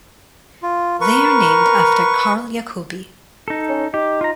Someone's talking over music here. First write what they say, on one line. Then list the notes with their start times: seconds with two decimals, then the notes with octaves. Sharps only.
They are named after Carl Jacobi.
0.63 F4
1.01 A#4 B4 C#6
3.48 D#4 A4
3.69 C#4
3.94 D#4 G4
4.21 F4 A#5